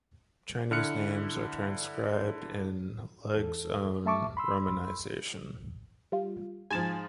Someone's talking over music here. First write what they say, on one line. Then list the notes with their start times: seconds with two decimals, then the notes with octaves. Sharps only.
Chinese names are transcribed in Legge's own romanisation.
0.71 D3 E4 F6 F#6 C#7
3.34 E2 A4
4.06 A3 E5 A5 C#6 D6
4.37 B5 C6 E6
6.12 G3 F4
6.70 G#2 F3 G#5 A5